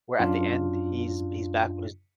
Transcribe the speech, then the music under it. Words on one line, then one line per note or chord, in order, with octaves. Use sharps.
where at the end, he's he's back with his
F#2 D4 F4